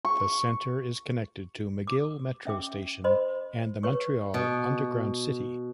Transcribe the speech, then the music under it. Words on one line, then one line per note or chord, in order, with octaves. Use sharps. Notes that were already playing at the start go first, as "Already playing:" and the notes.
The centre is connected to McGill Metro station and the Montreal Underground City.
C#6
D6
C#4 E5 G5 D6
C5 D#5 B5 C6
B4 C#5 C#6
B2